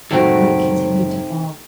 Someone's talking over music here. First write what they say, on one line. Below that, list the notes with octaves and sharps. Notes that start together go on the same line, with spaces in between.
Night continued to fall.
C#2 F#2 C3 A3 D#4 F#4 E5 G5